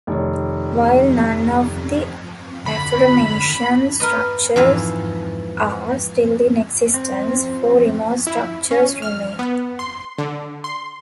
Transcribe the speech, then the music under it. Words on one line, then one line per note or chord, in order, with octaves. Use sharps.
While none of the aforementioned structures are still in existence, four remote structures remain.
F1 D#3 C#5
D3 B5
A#4 B4 D#5
F2 G#2 E3
C4
E4
C#4
F6
B3
C6
D3
C6